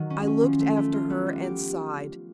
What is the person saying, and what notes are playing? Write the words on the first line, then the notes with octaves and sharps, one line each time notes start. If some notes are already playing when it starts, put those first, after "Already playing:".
I looked after her and sighed.
Already playing: D#3 F#3
C#4
C#4
F3
A3
A3
F4
B3
G3
G4